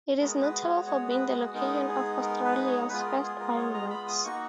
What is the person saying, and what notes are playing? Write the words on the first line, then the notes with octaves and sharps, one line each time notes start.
It is notable for being the location of Australia's first ironworks.
G#3 B3 F#4 A#4
B4
C#5
C#5
B4
G#3 B3 D#4 A#4
G#4
A#4
B4
C#5
G#3 B3 F4 B4
A#4
G#4
A#4
C#5
A#5
B5
D#6
A#3 D#4 F#4 C#6